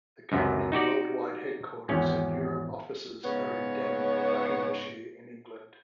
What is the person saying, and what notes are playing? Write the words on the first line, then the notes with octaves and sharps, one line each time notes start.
The company worldwide headquarters and Europe offices are in Denham, Buckinghamshire in England.
C#2 F#2 C3
D#4 F#4 G4 D5
G#1 E2 C#4
G#2 C#3 B3 C#5